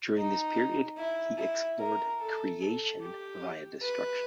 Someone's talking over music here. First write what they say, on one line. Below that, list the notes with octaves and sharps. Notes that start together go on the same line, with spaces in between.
During this period, he explored creation via destruction.
D#4
E4
E4
A#4
A4
A4
G4
B4